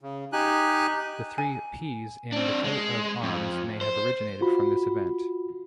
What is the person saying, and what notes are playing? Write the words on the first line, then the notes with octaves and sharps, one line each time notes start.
The three "P"s in the coat of arms may have originated from this event.
C#3
D#4 G4 G#5 F#6
G#5
C4 D4
G#3
F2
C5
F4 F#4 B5